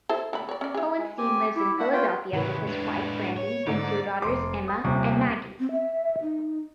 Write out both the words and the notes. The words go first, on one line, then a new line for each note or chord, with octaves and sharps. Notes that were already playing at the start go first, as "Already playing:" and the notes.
Hohenstein lives in Philadelphia with his wife Brandi and two daughters Emma and Maggie.
E4 A4 C5
D3 A3 B5
C#5 D5
C#4 D5
E4 G#4
G#3
C4 G4 G#5
E4 G4
D4 F#4 E5 F#5
F4 F#4 B4 G5
A2 C#3 E3 B4
G#3 D4
C#5
G#2 D3 A3 D5
F1 C6 D6
D#6
D#1 C3 C#6 D6
C4
E5
D#4